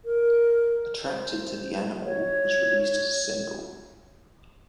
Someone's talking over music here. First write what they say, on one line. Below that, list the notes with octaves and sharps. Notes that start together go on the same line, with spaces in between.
"Attracted to the Animal" was released as a single.
A#4
C5
C#5